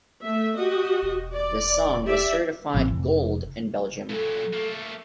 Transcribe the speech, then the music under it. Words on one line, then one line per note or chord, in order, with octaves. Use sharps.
The song was certified Gold in Belgium.
A3 E5
F#4 G4 D#5
E1
D5
G4 D5 E5
A1 E3 C4
F1
A#2 F#3 A4
A3 A#3